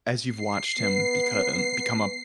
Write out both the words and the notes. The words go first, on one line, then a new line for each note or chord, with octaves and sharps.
as you've watched him become become a
C7
B3